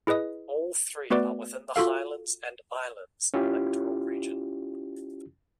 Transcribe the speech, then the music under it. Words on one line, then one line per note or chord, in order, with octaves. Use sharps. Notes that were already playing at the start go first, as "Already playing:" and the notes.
All three are within the Highlands and Islands electoral region.
E4 G#4 B4 D#5 D#6
A3 B3 F#4 B4 D5 D6
F4 F#4 A4 F5
C#4 E4 F4 G4